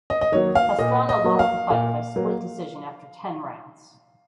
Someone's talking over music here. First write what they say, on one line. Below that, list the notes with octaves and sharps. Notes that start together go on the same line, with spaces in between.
Pastrana lost the fight by split decision after ten rounds.
D#5
D#5
D#3 F#3 A#3 C#5
F5
A#2 D#5
D#5
F#3 A#3
F5
A#2 F5
F#3 A#3